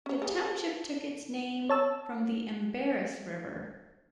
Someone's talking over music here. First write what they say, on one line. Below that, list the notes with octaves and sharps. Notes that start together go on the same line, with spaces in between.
The township took its name from the Embarrass River.
C#4 C#5
C#3 G4
C5 A5
C#5 A5 E6